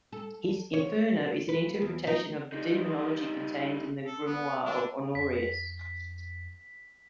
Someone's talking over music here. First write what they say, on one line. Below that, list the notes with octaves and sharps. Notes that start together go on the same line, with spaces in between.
His "Inferno" is an interpretation of the demonology contained in the Grimoire of Honorius.
A4
C#5
B4
E2
D#4
G3 D#4
A4
B3
D3 D4
F2 B6